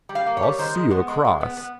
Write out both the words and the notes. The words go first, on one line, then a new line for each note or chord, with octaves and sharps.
I'll see you across.
G3
F5
A#3
C#5
G3
D#3 C5
G#3
B3
G#3
G#3
B3
B3